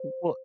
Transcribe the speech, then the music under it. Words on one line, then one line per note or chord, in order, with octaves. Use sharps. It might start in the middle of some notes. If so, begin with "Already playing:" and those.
Mm, well
Already playing: C5